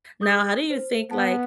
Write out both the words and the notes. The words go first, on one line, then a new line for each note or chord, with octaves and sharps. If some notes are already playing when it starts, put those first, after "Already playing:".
Now how do you think, like,
G#4 D#6 G6
C5
B3 A5